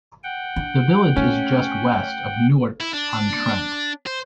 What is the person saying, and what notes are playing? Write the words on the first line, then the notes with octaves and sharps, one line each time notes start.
The village is just west of Newark-on-Trent.
F#5 G5
D4
A3 C#4
E4
D4
C5